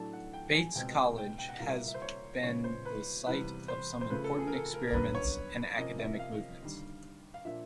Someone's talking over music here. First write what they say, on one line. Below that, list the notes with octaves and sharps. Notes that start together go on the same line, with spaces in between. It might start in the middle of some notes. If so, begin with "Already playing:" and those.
Bates College has been the site of some important experiments and academic movements.
Already playing: A2 F#3 A3 D4 A5
F#5
G5
G#5
C#2 B2 G#3 C4 G5
G5
G5
F#5
C2 A#2 G3 A#3 F5
E5
E5
C5
C#5
C#3 F3 G#3 B3 C#5
C5
B4
E2 C3 E3 G3 B4
C5
C5
C#3 F3 A3 B4
A4
G#4
A#4
A4
A#4
A#4
F#2 D3 G3 B3 B4
C#5
C3 F3 A#3 C#4 D#5
E5
F5
D#2 D3 G3
F5
A#2 F3 A#3 D4 E5